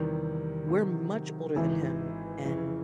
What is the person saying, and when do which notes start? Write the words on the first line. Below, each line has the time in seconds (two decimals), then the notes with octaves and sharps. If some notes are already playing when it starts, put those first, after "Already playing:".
we're much older than him, and
Already playing: E2 C3 D#3 E3 G3
0.68 C3 D#3 F#3
1.56 G#1 G#2 D#3 E3
2.45 F2 C#3 E3